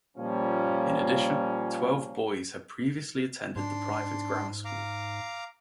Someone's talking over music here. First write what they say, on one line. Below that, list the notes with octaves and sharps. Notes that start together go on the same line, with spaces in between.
In addition twelve boys had previously attended the private grammar school.
A#2 F3 G3 A#3 C#4
G#2 D4 C6
F5 A#5 D6